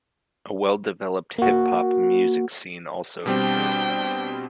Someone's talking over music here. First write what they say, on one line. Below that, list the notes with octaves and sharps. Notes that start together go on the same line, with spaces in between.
A well-developed hip hop music scene also exists.
A#3 F#4
B2 G3 C4 D4 G5